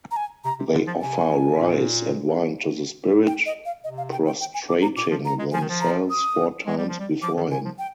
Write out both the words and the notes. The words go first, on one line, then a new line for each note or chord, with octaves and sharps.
They offer rice and wine to the spirit, prostrating themselves four times before him.
A#5
G#5
C3 A#5
C3
D3
F3
C3 G#5
A#2
G5
D#5
F5
C3 D#5
F5
G5
G5
G5
G#5
D6
A#5
A#2 D6
F3
A#5
G#3
F3 G#5
D#3
F3
A#5
D#6
G#3
G3
F3
G3
F3 D6
D#3
D3 G#5
F3
G5